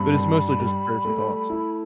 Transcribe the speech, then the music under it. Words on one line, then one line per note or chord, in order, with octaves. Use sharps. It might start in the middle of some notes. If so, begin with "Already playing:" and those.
But it's mostly just prayers and thoughts.
Already playing: G2 C4 B5
G3
G3
A3
E4